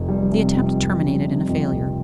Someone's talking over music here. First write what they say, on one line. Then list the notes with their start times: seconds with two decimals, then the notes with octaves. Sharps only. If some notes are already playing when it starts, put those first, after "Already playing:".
The attempt terminated in a failure.
Already playing: F1 F2
0.09 G3
0.32 C3
0.55 F2
0.79 F1
1.02 G3
1.25 C3
1.49 F2
1.72 F1